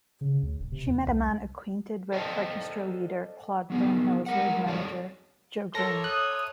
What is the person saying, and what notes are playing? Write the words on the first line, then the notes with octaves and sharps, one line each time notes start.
She met a man acquainted with orchestra leader Claude Thornhill's road manager, Joe Green.
C#3
D2
D1
C3
E2
C2
A4 C5 D5 D#5 G5 A5
F#3 B3 G#4
G#3 A#4 F#5
F2 G3 F#4 A4 C#5 D5
A4 A#4 C#5 E5 C6 A#6
D#6 F#6